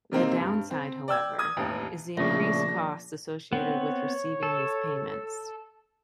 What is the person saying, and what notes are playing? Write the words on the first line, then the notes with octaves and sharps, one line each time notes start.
The downside, however, is the increased costs associated with receiving these payments.
C3 A#3 C4 D#4
G2
C4
D5 G5 E6 G#6
D#6 G#6
E1 A1 D#2
A#1 C#3 A3 D4 A#6
B3 C4 C#5
A4